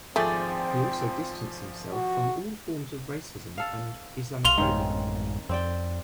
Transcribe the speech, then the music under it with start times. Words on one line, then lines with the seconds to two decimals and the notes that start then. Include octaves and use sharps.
He also distanced himself from all forms of racism and Islamophobia.
0.16 G#1 F3 A3 C4 G#4 D5 G5 A6
1.93 F#4
3.58 A4 F5
4.45 C2 F5 C6 F7 G7
4.58 A1 F#2 D#3 G#3 C4 C#4
5.49 F2 C4 D5 G5